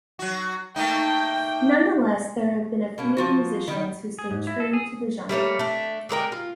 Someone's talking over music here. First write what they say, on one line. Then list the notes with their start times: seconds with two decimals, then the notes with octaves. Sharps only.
Nonetheless, there have been a few musicians who stay true to the genre.
0.19 F#3 F#4
0.76 A3 A#3 D#4 G5
2.98 B2 A#3 C#4
3.17 F3 F4 F#4
3.68 D#3 G3 D#4
4.19 G#4
4.31 G#2
4.47 E4
4.60 A4
4.73 G#4
5.29 G3 A3 A#3 C#5
5.59 A3 D4
6.09 D3 G#3 A#4 G5
6.32 F4